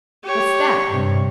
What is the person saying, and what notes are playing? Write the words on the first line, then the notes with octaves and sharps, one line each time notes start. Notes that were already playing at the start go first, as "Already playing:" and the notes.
"What's that?"
G4 C#5
G2 C3